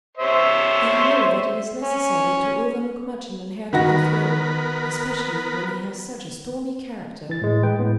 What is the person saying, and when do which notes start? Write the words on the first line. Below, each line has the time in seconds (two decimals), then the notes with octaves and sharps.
They know that it is necessary to overlook much in an heir to the throne, especially when he has such a stormy character.
0.18 C5 C#5 E5
1.82 C#4
3.73 D#3 B3 F#4 A#4 B4 A#6
7.29 E3 A6
7.42 A2 G#3
7.63 G#3 B4 G5
7.79 A2 B3